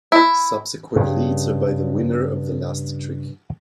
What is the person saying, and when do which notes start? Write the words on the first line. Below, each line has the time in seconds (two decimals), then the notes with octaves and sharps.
Subsequent leads are by the winner of the last trick.
0.12 E4
0.96 G2 C#3